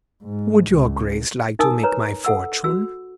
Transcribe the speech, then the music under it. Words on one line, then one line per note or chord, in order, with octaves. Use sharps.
"Would your Grace like to make my fortune?".
G#2
C#2
D#4 A#4 G#5 D#6 E6
B4 C#5 A#5
A4 F#5 E6
F#4 E6